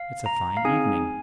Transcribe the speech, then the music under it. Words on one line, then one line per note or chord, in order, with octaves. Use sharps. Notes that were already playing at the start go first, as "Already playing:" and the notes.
"It's a fine evening."
Already playing: F5
A#5
F5
C4 D#4 G#4 G#5